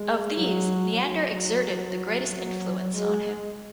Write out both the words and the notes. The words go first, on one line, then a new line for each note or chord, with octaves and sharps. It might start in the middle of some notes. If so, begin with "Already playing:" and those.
Of these, Neander exerted the greatest influence on him.
Already playing: G#3
F#3
F#3
F#3
G#3